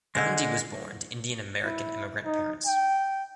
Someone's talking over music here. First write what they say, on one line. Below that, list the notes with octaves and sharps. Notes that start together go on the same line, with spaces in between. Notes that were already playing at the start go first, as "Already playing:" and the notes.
Gandhi was born to Indian American immigrant parents.
D3 G#3
E4
D#4
G5